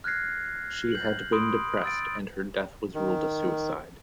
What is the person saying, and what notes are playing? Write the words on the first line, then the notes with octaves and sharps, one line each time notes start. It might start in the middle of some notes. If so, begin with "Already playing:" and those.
She had been depressed and her death was ruled a suicide.
F6 F#6 G#6 A#6 C7
G6 F#7
B5 C6 D#6 D7
E6 A6 D7
D#3